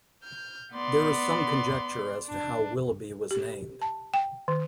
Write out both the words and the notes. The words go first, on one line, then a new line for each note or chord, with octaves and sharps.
There is some conjecture as to how Willoughby was named.
F6 G6
B3 D5 C6
D4
G4
A5
G5
D#3